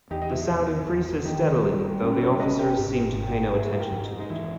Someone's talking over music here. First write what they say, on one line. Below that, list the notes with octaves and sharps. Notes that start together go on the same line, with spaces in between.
The sound increases steadily, though the officers seem to pay no attention to it.
E2 D#4 G4
D#4
E4
E2
E2
D#3 D#4 G4
G3
C#4 G4 A#4
B4
A#4 C#5
C#4 B4 D#5
B4
G4 A#4
G#2
G#2
G#2 E4 G#4
G4 A#4
G#2
D#4
D#4
E3 E4